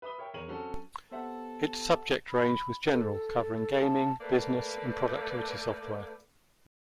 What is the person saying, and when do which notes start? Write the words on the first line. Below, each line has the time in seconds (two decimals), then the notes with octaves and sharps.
Its subject range was general, covering gaming, business, and productivity software.
0.02 B4 E5 B5 D#6 G7
0.18 A#4 C#5 E5 G5
0.34 E2 G#4 A#4 C#5 D#7 F#7
0.47 F#3 C4 C#4 F#4 A4
1.12 B3 G4 A4 C5 E5 F#5
2.29 B5
2.89 A4
3.80 A5
4.21 A3 A#3 B4 D5